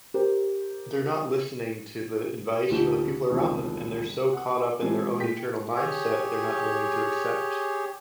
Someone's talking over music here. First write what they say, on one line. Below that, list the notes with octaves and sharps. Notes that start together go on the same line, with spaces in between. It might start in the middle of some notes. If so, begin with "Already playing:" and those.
they're not listening to the advice from the people around them, and they're so caught up in their own internal mindset they're not willing to accept
G4 A#4 C5
D2 A#2 F3 D#4 G4 E7
E1 C2 D#3 F3 C5
F#5
E3 F3 G#3 C4 G4 G#4
A#2 G#4 G5 B6
G4 G#4 C#5